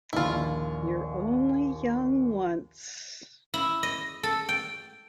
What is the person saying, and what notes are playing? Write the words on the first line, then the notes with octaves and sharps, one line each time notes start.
You're Only Young Once...
A#1 D#2 E4 F4
E4
D#5
A4
G5